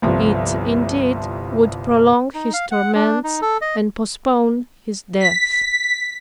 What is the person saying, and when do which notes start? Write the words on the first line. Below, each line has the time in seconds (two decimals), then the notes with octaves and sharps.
It indeed would prolong his torments, and postpone his death.
0.02 G1 C2 F3
2.34 D#4
2.53 F5
2.71 F#5
2.95 D4
3.24 D#4
3.42 A4
3.61 D#5
5.20 B6